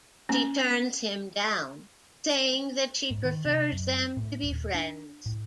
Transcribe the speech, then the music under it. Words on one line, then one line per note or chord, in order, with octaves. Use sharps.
She turns him down, saying that she prefers them to be friends.
A#3 C#4
G#2
D#3
C3
F#2
A2
D#1
D4
A2